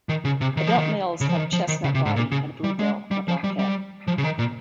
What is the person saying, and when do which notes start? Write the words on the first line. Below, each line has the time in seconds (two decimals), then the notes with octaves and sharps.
Adult males have a chestnut body, a blue bill and a black head.
0.09 D#3
0.25 C#3
0.41 C3
0.57 D#3
0.67 F3
0.78 D#3
1.21 C#3
1.29 F3
1.37 D#3
1.53 F3
1.68 D#3
1.84 C#3
1.95 C3
2.05 G#2
2.16 A#2
2.32 C#3
2.64 G3
2.79 G#3
3.11 G3
3.28 F3
3.44 G3
3.59 G3
4.08 F3
4.18 C#3
4.24 D#3
4.39 A#2